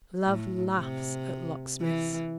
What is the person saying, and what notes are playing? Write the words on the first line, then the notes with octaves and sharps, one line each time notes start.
Love laughs at locksmiths.
A2
C3
E3